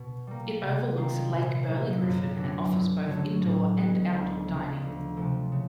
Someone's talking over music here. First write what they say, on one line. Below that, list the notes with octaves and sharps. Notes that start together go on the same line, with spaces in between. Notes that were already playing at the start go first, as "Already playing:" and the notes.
It overlooks Lake Burley Griffin and offers both indoor and outdoor dining.
Already playing: B2
G3 A#3
C3
D#3 G3 C4 F4
A#2
F#3 A#3 D#4 G#4
F#2
D3 F#3 B3 D4
G2
D3 F#3 A3 C#4
A2
E3 G#3 B3 E4
D2
C#3 F3
D2
C3 F3 A3
C#3